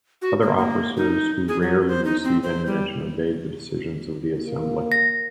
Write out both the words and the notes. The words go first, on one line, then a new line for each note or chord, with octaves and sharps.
Other officers, who rarely receive any mention, obeyed the decisions of the assembly.
F#4
A#3
A#3
D#4
G#4
F#3
C5
D#4
C4
C5
G3
A#3
A#6